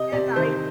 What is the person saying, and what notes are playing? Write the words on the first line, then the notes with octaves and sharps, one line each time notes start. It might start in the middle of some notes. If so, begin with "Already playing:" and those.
and I
Already playing: C3 D#5
C3 D5
D#3 C5